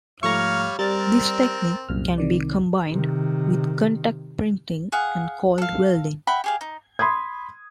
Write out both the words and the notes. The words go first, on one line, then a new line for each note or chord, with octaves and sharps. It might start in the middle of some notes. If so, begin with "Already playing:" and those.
This technique can be combined with contact printing and cold welding.
G#2 F3 G3 A3 C#5 F5 A#5 C#6
G3 C4 A#4 D5 F6 A6
C2 F#2 A#2 F6
C3 D#3 D5
C3 D#3
G#4 F5 F#5
A4 F5
E5 F#5 G5 B5
G4 G#4 F5
D#4
B5 C6 D#6 G#6